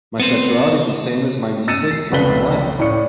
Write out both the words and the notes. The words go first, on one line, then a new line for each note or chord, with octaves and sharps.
My sexuality is the same as my music and my life.
B3 C4 C5
E6 A6 C#7 D#7 E7
C7
F1 C#2 B4 A6 B6 G7
A2 D5 C#7